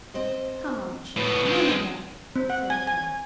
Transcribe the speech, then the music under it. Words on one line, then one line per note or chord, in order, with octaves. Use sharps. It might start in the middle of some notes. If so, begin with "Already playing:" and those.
"Come, Archie, none of that," said his brother.
C4 C5 D#5
A2 B3 B4
G#3 C4
C4
F#5
G#5
G#5